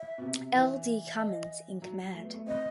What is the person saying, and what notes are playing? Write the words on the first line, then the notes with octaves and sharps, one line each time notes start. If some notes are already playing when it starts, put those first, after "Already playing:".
L. D. Cummins in command.
Already playing: E5
B2
C3
E3
E5
D#5
F#3
A3
B3
A3
C4 D#5